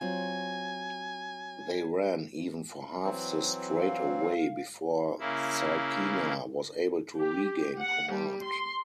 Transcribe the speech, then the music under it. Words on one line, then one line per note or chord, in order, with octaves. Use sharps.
They ran even for half the straightaway before Zykina was able to regain command.
F#3 C4 F4 G#5
E3 F#3 C4
F5
C#3 A#3 E4
G4
F#5
G3
C6